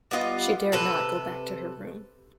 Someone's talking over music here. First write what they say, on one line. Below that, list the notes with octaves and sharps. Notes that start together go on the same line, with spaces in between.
She dared not go back to her room.
G3 B3 F4 D#5
C3 A4 B4